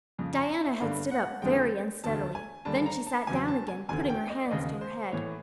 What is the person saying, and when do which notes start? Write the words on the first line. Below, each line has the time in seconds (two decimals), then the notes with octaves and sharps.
Diana had stood up very unsteadily; then she sat down again, putting her hands to her head.
0.19 F2 C#3 F3
0.34 A#5
0.50 A#5
0.65 E5
0.80 G1 G2 D3 G3 F5
1.11 F#5
1.42 F2 D3 F3 G#3 G5
2.04 E1 D2 D3 A5
2.35 G#5
2.65 D#2 D3 G3 A5
2.86 A#5
3.07 A5
3.27 E1 E2 C#3 F#3 G#5
3.48 A5
3.68 G#5
3.89 E1 D2 D3 G#5
4.09 G5
4.29 D#5
4.46 D5
4.51 E1 D#2 C#3 D#5
4.81 C5
5.12 A1 A2 E3 C#5